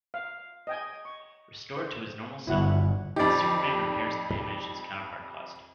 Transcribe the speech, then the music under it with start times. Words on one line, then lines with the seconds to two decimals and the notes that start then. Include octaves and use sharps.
Restored to his normal self, Superman repairs the damage his counterpart caused.
0.14 F5
0.67 D#5 G5 G#5
1.05 C#6
1.77 C5
2.47 G1 E4 F#4 F#5
3.16 F2 D#4 G4 D5